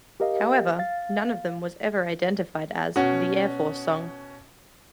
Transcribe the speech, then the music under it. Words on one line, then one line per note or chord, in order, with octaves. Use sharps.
However, none of them was ever identified as "the Air Force song".
G4 A#4 D#5 F5
F5 A6
B2 C#4 F#4